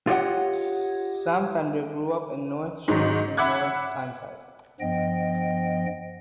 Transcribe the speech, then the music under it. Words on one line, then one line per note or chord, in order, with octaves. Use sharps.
Sam Fender grew up in North Shields in North Tyneside.
F4 G4 A4 C#5 D#5 F#5
G#2 D#3 F#3
E5 F#5 B5 D6 F#6 G#6
G2 F3 B3 D#5 G5